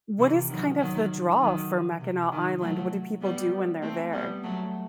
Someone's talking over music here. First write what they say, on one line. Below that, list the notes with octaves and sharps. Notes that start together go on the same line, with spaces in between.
what is, kind of the draw for Mackinac Island? What do people do when they're there?
C3 E3
D#3 F#3
D#3 F#3
D#3 F#3
C3
D#3
F#3 A3
G3 B3
A3 C4
G3 B3
F#3 A3